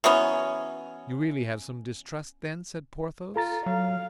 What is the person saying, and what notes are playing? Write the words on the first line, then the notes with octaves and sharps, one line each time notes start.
"You really have some distrust, then?" said Porthos.
E3 F#3 B3 C#4
F4 A4 A#5 A6
F#3 F5